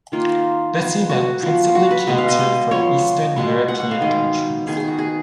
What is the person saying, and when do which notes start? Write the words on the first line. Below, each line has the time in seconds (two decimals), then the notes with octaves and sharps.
This event principally catered for Eastern European countries.
0.12 D#3 A#3 F4
0.77 F3 B3
1.09 F#4
1.43 F3 B3
1.75 F#4
1.91 B4
2.07 B2 G#3 B3 D#5
2.18 F5
2.28 D#5
2.39 D#5
2.71 F3 B3 C#5
3.36 B2 G#3 B3
3.68 F#5
3.80 F#5
3.91 F5
4.01 D#3 G#3 B3 D#5
4.67 D#3 G#3 B3 G#4
4.77 G#4
4.88 F#4
4.98 G#4